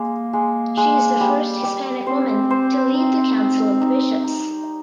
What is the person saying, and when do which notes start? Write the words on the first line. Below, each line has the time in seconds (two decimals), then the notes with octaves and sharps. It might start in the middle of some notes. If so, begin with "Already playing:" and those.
She is the first Hispanic woman to lead the Council of Bishops.
Already playing: G#3 A#3
0.33 G#3
0.77 G#3
1.20 G3
1.64 G3
2.07 C4 C5
2.50 C5
2.94 D#4
3.37 D#5
3.81 D#4
4.24 D#4